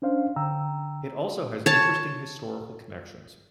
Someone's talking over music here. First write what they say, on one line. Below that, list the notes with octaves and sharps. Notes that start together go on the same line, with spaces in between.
It also has interesting historical connections.
C#4 D4 C5 F5
D3 G5 A#5 E6
C#5 A5